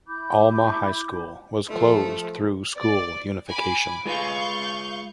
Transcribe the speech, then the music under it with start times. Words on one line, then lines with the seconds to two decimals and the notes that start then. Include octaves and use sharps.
Alma High School was closed through school unification.
0.08 E4 B5 D6 G6
1.68 F3 A3
2.77 D5
3.48 G#5 B5 D6
4.06 G#3 F4 B4 F5 C#6 G6